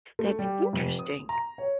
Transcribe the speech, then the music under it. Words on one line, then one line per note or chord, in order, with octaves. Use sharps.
That's interesting.
A3
G3
F1
D#6
A#5
C#5